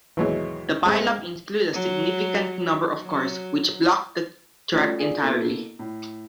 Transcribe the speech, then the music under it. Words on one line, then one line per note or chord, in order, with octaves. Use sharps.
The pile-up included a significant number of cars which blocked the track entirely.
D#2 G#2 B2 E3 F#3 G#3
G2 C3 G#3 C4
F#3
F#3
F3 G3 A3 C#4 D4 F#4
F4 G#4 D5
B2 A#3 E4 A4
A2